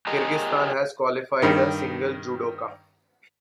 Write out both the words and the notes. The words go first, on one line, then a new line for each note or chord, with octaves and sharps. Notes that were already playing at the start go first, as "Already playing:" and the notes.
Kyrgyzstan has qualified a single judoka.
G4 G#4 A#4 D#5
G2 D#3